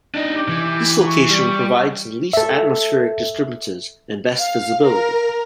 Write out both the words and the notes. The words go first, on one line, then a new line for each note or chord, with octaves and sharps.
This location provides the least atmospheric disturbances and best visibility.
D4 D#4
G4
E3
C#6
G3
A4 E5
F5
A#4